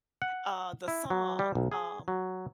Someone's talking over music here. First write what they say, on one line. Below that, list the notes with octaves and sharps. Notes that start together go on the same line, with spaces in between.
uh, the song, um
F#5
E4
F#3
G3
B1
G#4
F#3